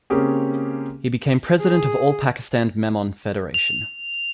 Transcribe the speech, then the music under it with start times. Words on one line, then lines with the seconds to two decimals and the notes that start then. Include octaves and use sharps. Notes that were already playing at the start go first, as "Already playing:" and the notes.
He became President of All Pakistan Memon Federation.
0.10 C#3 A#3 C4 C#4 G4 G#4
1.59 G#4
3.54 F7